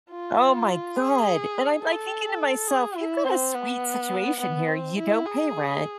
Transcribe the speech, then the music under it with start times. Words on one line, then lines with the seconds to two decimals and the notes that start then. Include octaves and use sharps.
Oh my god. And I'm, like, thinking to myself, "you've got a sweet situation here. You don't pay rent,
0.10 F4
0.97 G#4
1.81 A4
2.68 G#4
2.96 E4
3.25 C4
3.54 B3
4.40 B3
4.68 C4
4.98 E4
5.26 G#4